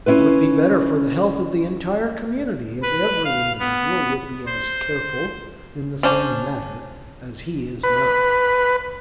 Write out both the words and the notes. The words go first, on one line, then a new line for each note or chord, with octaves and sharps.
It would be better for the health of the entire community if every individual would be as careful in the same matter as he is now.
C#4 E4 F4 B4
B4
F5
B3
C5
C#4 D4 C5 A5
B4